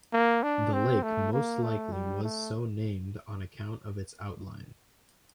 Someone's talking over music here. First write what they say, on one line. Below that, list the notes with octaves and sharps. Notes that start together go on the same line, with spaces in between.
The lake most likely was so named on account of its outline.
A#3
D4
C4
A3
A#3
A3
G3
A3